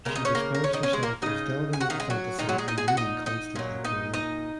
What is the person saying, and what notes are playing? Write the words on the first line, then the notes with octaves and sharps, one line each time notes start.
She describes herself as "delving into fantasy and reading constantly" growing up.
C#3 G#3 A#3 A#4
D#4 D#5
C#4 C#5
A#3 A#4
A#4
C#4 C#5
D#4 D#5
C#4 C#5
G#3 G#4
A#3 A#4
C#3 F#3 D#4 D#5
G#5
F#4 F#5
D#3 D#4
G#3 G#4
F#3 F#4
A#2 D#3 G#3 D#4
F#3 F#4
G#3 G#4
D#4 D#5
G#4 G#5
F#4 F#5
D#4 D#5
D#4 D#5
A#2 F#3
D#4 D#5
D#4 D#5